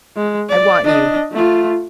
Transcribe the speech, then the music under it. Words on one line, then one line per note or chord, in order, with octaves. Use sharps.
I want you.
G#3
D5
D4 D#5
A3 F4